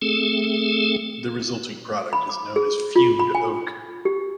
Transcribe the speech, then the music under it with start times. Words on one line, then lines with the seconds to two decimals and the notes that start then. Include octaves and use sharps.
The resulting product is known as "fumed oak".
0.02 A3 C4 G#4 A4
2.13 B5
2.29 D6
2.56 G#4
2.96 F4
3.19 B5
3.35 G#5
4.05 G4